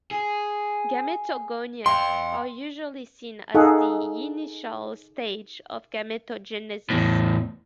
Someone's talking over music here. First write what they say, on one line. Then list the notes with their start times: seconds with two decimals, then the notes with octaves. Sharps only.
Gametogonia are usually seen as the initial stage of gametogenesis.
0.11 G#4
1.86 F5 G5 C6
3.54 D#4 G#4 A4 F5 F#5
6.90 E2 A2